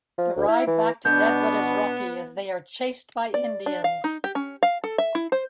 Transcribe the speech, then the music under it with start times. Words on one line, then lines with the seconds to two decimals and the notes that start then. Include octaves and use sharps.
The ride back to Deadwood is rocky, as they are chased by Indians.
0.18 F3
0.37 D2
0.48 E4
0.67 E3
1.05 B2 B3 D4 G6
3.34 D5
3.66 D4
3.84 F5
4.04 D#4
4.24 G4
4.35 C#4
4.63 F5
4.84 A4
4.98 E5
5.15 E4
5.32 C5